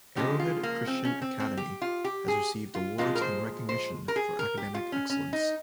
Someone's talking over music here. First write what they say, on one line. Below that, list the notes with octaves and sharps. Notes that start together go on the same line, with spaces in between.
Arrowhead Christian Academy has received awards and recognition for academic excellence.
C#3 F3 G#3 G4
F4
A#3
C4
C#4
C4
C4
G4
F4
G4
G#4
F4
A#2 F3 G#3 F4
A#4
C5
C5
A#4
G#4
A#4
G4
F4
C#4
C#4
D#4